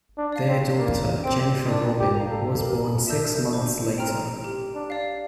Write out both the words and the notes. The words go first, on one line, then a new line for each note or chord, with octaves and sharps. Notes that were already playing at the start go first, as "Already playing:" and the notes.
Their daughter, Jennifer Robin, was born six months later.
D4
D5 F5
C4
A#3 D5
C4 G5 D6
D4 D5
G4
F5 A#5
A4
A4 A#4
D4 E5 A5 E6 G6
D4 C5
C4 G5 A#5 F6
G4
D4
D5 F5